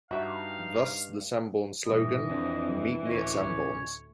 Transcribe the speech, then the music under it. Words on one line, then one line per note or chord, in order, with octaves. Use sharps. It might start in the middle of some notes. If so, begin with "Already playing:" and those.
Thus the Sanborns slogan "Meet me at Sanborns".
G2 D#4 F#4 E5 F5
G2 A#2 E3 D#5
F2 C4 D4
D2 A2 C#4 C#5 D#5